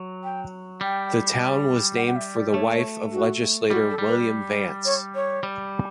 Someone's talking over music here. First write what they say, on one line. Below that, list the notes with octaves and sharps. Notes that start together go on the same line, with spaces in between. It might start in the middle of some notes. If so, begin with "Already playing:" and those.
The town was named for the wife of legislator William Vance.
Already playing: F#3
G5
G3 G5
F#5
F#5
E5
D5
A3 C#5
C#5
F#4
G3 F#4
A4
G3
B4
C#5
C#5
G3